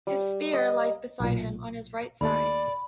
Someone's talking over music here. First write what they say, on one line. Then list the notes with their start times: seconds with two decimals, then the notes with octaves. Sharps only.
His spear lies beside him on his right side.
0.07 G3
0.53 D#5
1.20 B1 A#2
2.21 D#2 A3 D5 A5 B5